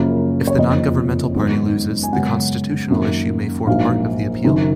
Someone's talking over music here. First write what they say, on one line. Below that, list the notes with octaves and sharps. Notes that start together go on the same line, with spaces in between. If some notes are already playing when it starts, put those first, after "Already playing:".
If the non-governmental party loses, the constitutional issue may form part of the appeal.
Already playing: F#2 C#3 F3 A#3
C#5
F#1 F2 C#3 F3 A#3 D#5
F#2 D#3 G#3 B3
G#5
F#2 C#3 G#3 B3 F#5
F#2 D#3 A#3
A#1 G#2 F#3 A#3 F5
F#1 F#2 D#3